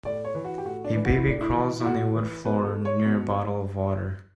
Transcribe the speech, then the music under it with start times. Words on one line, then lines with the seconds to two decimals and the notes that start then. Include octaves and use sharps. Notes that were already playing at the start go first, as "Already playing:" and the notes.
A baby crawls on a wood floor near a bottle of water.
0.05 A2 D5
0.24 C#5
0.35 E3
0.44 F#4
0.58 G4
0.65 A2 F#4
0.84 D4
0.95 E3
1.05 F#4
1.16 E4
1.25 A2 D4
1.41 E4
1.55 E3
1.80 E4
1.86 A2 F#4
2.15 E3
2.44 B2 B4
2.64 A4
2.85 C#5
3.06 B2